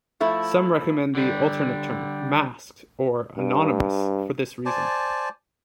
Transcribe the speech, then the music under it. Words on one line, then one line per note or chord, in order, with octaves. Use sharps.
Some recommend the alternate term "masked" or "anonymous" for this reason.
F3 A3 E4
D3 G3
G2
C5 D5 G#5 A5